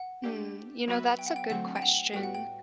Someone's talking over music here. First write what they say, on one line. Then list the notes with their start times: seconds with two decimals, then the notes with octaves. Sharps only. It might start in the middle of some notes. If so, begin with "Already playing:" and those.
Hmm, you know, that's a good question.
Already playing: F#5
0.24 A3 D4 G4
0.87 F#3 B3 F#4 B4 E5
1.19 G5
1.26 F#5
1.36 G5
1.50 D3 F#3 A3 C4 F#5
1.76 G5
1.82 F#5
2.13 A2 G3 B3 F#4 G5
2.23 F#5
2.35 G5